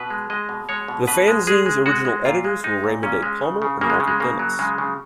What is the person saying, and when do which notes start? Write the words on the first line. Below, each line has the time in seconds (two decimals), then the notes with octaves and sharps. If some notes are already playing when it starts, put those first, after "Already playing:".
The fanzine's original editors were Raymond A. Palmer and Walter Dennis.
Already playing: B2 B4
0.10 G#3
0.30 G#3 D#5
0.49 B2
0.69 G#3 C#5
0.88 B2
1.07 B2 B4
1.28 G#3
1.47 G#3 G#4
1.66 G#3
1.86 G#3 F#4
2.05 G#3
2.25 A#2 F4
2.45 G#3
2.64 G#3 D#4
2.84 A#2
3.03 A#2 C#4
3.23 G#3
3.42 C#3
3.62 C#3
3.81 C#3 A#3
3.90 G#3
4.00 C#3
4.08 G#3
4.20 C#3 A#3
4.39 F#3
4.59 C#3 G#3
4.78 C#3